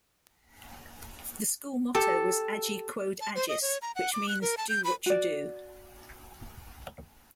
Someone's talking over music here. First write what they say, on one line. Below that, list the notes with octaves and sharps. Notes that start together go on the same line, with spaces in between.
The school motto was "Age Quod Agis", which means "do what you do".
G4 A4 A5
A5
C5
D#5
C#5
A#5
F#5
D6
F#6
A#4
A5
G6
B5
F#4 D5